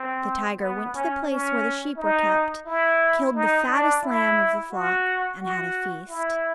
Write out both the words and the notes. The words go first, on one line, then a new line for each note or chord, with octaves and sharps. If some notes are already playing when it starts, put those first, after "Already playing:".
The tiger went to the place where the sheep were kept, killed the fattest lamb of the flock and had a feast.
Already playing: C4
B3
C#4
C#4
D#4
E4
D#4
D4
E4
F#4
F#4
E4